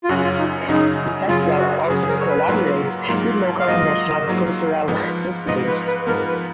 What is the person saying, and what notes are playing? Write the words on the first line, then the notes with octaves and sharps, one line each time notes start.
The festival also collaborates with local and national cultural institutes.
F4
F#2 C#3 F#3 C#4 F#4
F4
D#4
F#2 C#3 F#3 C#4 D#4
F#2 C#3 F#3 C#4 F4
F#4
F#2 C#3 F#3 C#4 G#4
G#4
A#4
C#5
B4
G#2 F#3 A#3 F4
G#2 F#3 A#3 F4
F5
G#2 F#3 A#3 F4 D#5
G#2 F#3 A#3 F4
G#2 F3 B3
G#2 F3 B3 D#5
B4
B4
G#2 F3 B3 A#4
B4